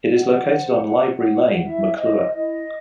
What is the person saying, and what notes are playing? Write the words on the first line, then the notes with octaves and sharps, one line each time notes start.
It is located on Library Lane, McClure.
F#4 F#5
C5
F#4
C5
E4 E5
C5 D#5
E4 D#5